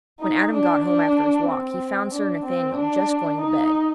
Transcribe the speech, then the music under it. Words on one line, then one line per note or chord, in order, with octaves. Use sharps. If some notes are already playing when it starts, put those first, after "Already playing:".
When Adam got home after his walk, he found Sir Nathaniel just going to bed.
D#4
D4
D4
C4
D4
C4
D4
D#4